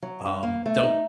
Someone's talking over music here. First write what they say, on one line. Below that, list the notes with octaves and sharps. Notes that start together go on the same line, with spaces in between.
um, don't
F#3
G2
A#3
A3
D#4